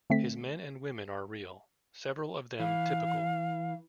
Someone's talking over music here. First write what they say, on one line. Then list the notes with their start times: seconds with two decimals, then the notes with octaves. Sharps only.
His men and women are real, several of them typical.
0.10 D3 A3 C4 B6
2.60 E3 F5